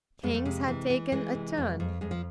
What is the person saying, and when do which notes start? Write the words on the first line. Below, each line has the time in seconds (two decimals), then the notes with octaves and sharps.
Things had taken a turn.
0.23 F2 G#3
0.34 A3
0.45 C3 G#3
0.68 E3
0.90 E3
1.12 E3 G#3
1.34 C3
1.57 F2
1.80 F2
2.01 F2 G#3
2.11 F3